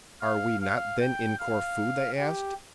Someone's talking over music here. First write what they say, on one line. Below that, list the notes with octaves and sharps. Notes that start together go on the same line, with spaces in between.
"Are we not, then, in Corfu?" they asked.
F5
F5
G5
F5
G4